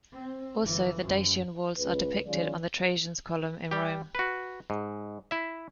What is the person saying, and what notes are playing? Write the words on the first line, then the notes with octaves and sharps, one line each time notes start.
Also the Dacian walls are depicted on the Trajan's column in Rome.
C4
G1 E3
F#2
C#2 B4
D#3 F#3 G#3 C#4 F4 D5
G3 G4
F#4 B4
G#2
E4 E5